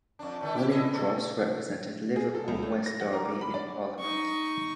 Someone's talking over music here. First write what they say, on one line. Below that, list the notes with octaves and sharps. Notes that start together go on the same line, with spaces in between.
William Cross, represented Liverpool West Derby in Parliament.
F2 D4
A2 D#3 A3
D4 E4 G4
E4 D#5 E5
D4 A4
G#4
A4
C#2
A3
A#6
F#5
A#4
D6
B5
D5
D#4 C#6